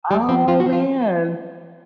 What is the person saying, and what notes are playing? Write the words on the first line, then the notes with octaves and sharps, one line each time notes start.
Oh, man.
F2 G3
F3 C4
F3 F4
F#4
F3
F4